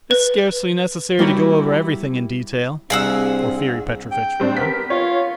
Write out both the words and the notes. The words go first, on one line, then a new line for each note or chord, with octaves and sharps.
"It's scarcely necessary to go over everything in detail," Porfiry Petrovitch went on.
B4
G3 A#3 E4 F#4 G4 C#5
C2 C4 D4 G#4 F5 F#5 E6
G5
G3 C4 D4
B3 A#4 B6
F4 C#5